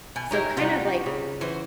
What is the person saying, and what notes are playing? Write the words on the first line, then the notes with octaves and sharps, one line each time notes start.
So, kind of, like,
B2 G#5
C#4 D#4 E4 G4 A#4 A#5
C3 G3 D#4 F4 F#4
C#3
E3 F#4 C5